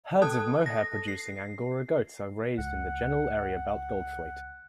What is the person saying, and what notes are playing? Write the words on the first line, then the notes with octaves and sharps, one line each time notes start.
Herds of mohair-producing Angora goats are raised in the general area about Goldthwaite.
A4 A5 D#6 F#6
A#6
C7
C#2 F#5